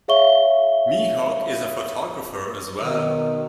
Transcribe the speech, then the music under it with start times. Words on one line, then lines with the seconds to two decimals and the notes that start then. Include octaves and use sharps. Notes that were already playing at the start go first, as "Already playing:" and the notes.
Mihok is a photographer as well.
0.08 G#4 C#5 E5 F5 C#6 G7
2.83 B2 D#3